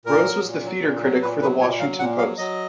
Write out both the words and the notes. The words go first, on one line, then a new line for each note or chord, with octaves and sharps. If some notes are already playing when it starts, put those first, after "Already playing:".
Rose was the theatre critic for the "Washington Post".
A#2 A#4
F#3
A#2
F#3
A#2
F#3
A#2 B4
F#3 B4
A#2 C#5
F#3 F5
A#2 F#5
F#3 F5
F#3 D#5